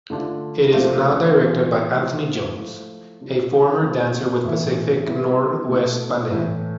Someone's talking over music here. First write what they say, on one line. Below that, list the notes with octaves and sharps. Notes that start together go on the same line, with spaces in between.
It is now directed by Anthony Jones, a former dancer with Pacific Northwest Ballet.
D3 A3 D4 F4
C3 F3 A3 D4 F4
E3 B3 F4
F3 A3 E4
F3 A3 E4
C3 G3 D4 F4
C3 F3 A3 C4 F4
A2 E3 A3 E4
C3 G3 B3 E4
B2 A3 E4
A2 E3 A3 E4